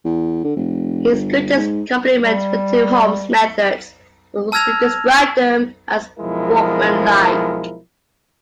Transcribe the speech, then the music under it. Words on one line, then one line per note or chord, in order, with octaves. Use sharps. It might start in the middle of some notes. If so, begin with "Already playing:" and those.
His greatest compliment to Holmes' methods was to describe them as "workmanlike".
E2
D3
F1
G1
G#2
G3
A5 E6 F6 G#6 A#6 F7
B1 F3 G#3 E4 A#4